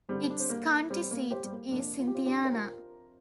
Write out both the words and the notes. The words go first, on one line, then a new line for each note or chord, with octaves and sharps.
Its county seat is Cynthiana.
G2 D3 G3 C4
D4
C4
A#3
G3 C4
C4
A#3
G4 C5
G3
A#3
F2 C3 A#3 D4
F4
G4
C4 F4
D4 G4
C5
F4 A#4